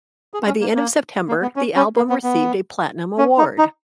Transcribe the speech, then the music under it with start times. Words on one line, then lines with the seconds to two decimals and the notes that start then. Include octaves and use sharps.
By the end of September, the album received a Platinum award.
0.34 G#4
0.47 C#4
0.61 A#3
0.75 A#3
1.28 A#3
1.42 B3
1.56 C#4
1.76 C#4
1.96 A#3
2.10 B3
2.24 B3
3.18 C#4
3.38 D#4
3.58 D#4